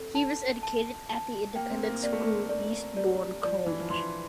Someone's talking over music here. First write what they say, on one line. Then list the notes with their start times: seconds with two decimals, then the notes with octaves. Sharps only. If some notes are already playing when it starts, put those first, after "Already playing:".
He was educated at the independent school Eastbourne College.
Already playing: C4 A4
0.15 A5
0.63 A5
1.09 A5
1.56 A#3 G5
1.70 C4
1.83 A#3
2.03 A#3 D5
2.12 A3
2.23 A#3
2.49 A3 D5
2.96 G3 D5
3.44 F3 D5
3.67 E3
3.80 F3
3.90 E3 C6